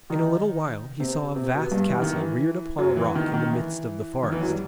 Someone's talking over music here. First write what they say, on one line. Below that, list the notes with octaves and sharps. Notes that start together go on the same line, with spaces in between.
In a little while he saw a vast castle reared upon a rock in the midst of the forest.
D#3 D#4
C3 C4
C3 C4
B2 B3
G2 G3
E3
D#3
E3
F#2 F#3
E3
D#3
D#3
E3
D#3
E3
F#2 F#3
G3